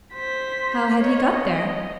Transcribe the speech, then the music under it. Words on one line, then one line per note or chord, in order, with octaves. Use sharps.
How had he got there?
C5 B6
C#5 D#5
D#5